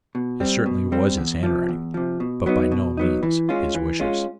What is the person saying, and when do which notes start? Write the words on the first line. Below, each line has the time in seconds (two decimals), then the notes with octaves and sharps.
It certainly was his handwriting, but by no means his wishes.
0.15 B2
0.40 G3 C4
0.66 B2
0.92 G3 C4
1.17 E2
1.43 C3 F3
1.69 E2
1.94 C3 F3
2.20 B2
2.46 F#3 B3 D#4
2.72 B2
2.97 F#3 B3 D#4
3.23 E3
3.49 G#3 C#4 F4
3.75 E3
4.00 G#3 C#4 F4